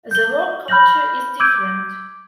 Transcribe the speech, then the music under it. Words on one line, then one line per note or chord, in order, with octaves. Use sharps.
The work culture is different.
G6 G7
B5 F6 G6 A#6 F#7
D6 E6 G6 G#6 D7 D#7